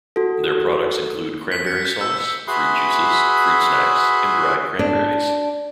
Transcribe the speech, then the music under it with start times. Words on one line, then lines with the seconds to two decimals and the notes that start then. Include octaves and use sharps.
Their products include cranberry sauce, fruit juices, fruit snacks, and dried cranberries.
0.16 F#4 A4
1.52 B6
1.67 C#7
1.85 G6
2.01 E6
2.48 F#4 G#4 B4 E5 B5 C6
4.79 D4